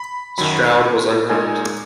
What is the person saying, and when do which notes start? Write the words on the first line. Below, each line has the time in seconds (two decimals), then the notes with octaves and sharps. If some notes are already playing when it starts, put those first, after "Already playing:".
Stroud was unhurt.
Already playing: B5
0.38 F#2 D#3 F#3 B5
1.30 A#2 G#3 D#4 G#5